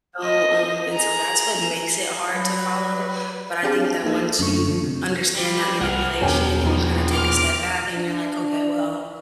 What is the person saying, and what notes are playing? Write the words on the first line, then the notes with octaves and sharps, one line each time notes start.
so, um, and so that's what makes it hard to follow, but I think that once you understand that manipulation and you kinda take a step back and you're, like, "Okay, well,
D#5
G#4 A#5
F#3 B4
C4 D4 G4 G#4 F5 A5
A#3 D#4 A4
F#2 D3 A3 C#6
D3 F3
C3
G3
C2 G#4 A#4 F#5 F6
E1 D#3 F#3 C#4 G5 G#5
D#2 A#2 F3 D#4
D6 F6
D4